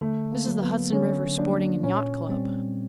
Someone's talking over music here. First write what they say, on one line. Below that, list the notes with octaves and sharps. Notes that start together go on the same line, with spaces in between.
"This is the Hudson River Sporting and Yacht Club."
D3 A3
A#3
F#3 A#3
B3
D3 C#4
F#3 A#3 D4
A#2 C#4
G3 C4